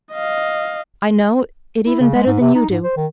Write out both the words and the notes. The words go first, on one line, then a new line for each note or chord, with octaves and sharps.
I know it even better than you do.
D#5 F5
E4
C#3
G#3
G#2
C3
D#4
G#2
C5
D#3